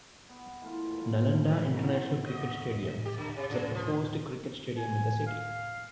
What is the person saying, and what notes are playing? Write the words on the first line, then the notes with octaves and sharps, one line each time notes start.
Nalanda International Cricket Stadium is a proposed cricket stadium in the city.
B3
E3 A3 A#3 F4
G2 A3 F5
A#3 E4 F#4
F#4
G4
D3
C3
C#3
F3
G#5
F5